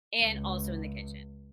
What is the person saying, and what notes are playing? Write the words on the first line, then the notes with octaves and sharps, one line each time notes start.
and also in the kitchen.
C#2